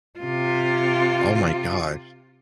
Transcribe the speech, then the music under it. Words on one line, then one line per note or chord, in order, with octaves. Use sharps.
Oh my gosh.
C3 F4